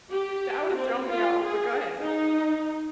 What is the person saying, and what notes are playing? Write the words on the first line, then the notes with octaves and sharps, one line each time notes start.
That would have thrown me off, but go ahead.
G4
C4
F4
G#4
D#4